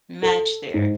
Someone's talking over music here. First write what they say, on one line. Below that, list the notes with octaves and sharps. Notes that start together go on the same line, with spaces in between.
match there.
A4
G#2